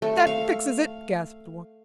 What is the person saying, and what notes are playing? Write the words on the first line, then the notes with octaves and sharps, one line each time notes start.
"That fixes it!" gasped one.
A3
F5